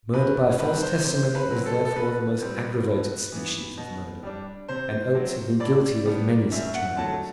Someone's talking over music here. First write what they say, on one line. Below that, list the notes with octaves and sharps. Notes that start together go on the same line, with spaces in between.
Murder by false testimony is therefore the most aggravated species of murder; and Oates had been guilty of many such murders.
F#2 B4
D3 G3 C4 B4
C5
C3 C5
B4
F#3 C4
A4
A4
B2 B4
G3 C4
A2
E3 B3
B2
G3 D4
C3 C5
F#3 C4
A2 D5
G3 B3 D4
F#2 E5
F#5
D3 F#3 A3 A5